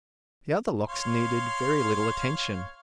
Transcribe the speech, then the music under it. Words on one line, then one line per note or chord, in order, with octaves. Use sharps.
The other locks needed very little attention.
C#5 F5 C6